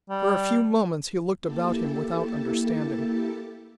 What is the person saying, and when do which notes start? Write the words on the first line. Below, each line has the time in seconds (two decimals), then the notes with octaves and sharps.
For a few moments he looked about him without understanding.
0.10 G3
1.42 A#3 E4 G4 A4 A5